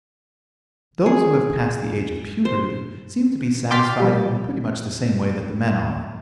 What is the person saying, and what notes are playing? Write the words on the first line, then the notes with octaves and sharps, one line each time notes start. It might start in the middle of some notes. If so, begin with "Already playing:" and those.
Those who have passed the age of puberty seem to be satisfied in pretty much the same way that the men are.
G#4
C5
G5 C6 D6 F6 A6 B6
F3 G3 G4